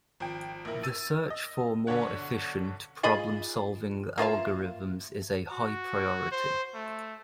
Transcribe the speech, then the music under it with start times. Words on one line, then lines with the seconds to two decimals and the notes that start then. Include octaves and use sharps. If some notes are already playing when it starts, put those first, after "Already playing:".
The search for more efficient problem-solving algorithms is a high priority.
0.20 G#1 F3 G5
0.65 A#1 A#3 E4 A#4
0.83 E6 A6 D#7
1.30 D#5
1.87 B1 D3 D4 C#5 F#5
3.03 F4 G#4 D#5 B5
4.18 A#3 F4 E5 F5
5.52 F#4
6.32 C5
6.74 A3